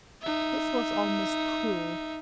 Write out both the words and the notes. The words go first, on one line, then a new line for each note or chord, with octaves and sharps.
This was almost cruel.
D#4 E5